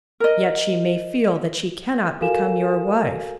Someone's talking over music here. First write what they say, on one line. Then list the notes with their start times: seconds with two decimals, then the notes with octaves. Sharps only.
Yet she may feel that she cannot become your wife.
0.20 A#4 D#5
2.20 F#4 A4 A#4 F5 G#5 E7